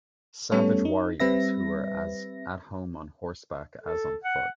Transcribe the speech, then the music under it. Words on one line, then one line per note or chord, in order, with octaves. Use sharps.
Savage warriors who were as at home on horseback as on foot.
G3 A3 B3 C#4 A4 C#5
D#4
G3 C4 B4 E5 A#6
A4
F#5